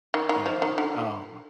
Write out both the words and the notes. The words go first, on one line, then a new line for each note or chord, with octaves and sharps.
Yeah, um,
D#3
D#3
F3
D#3
D3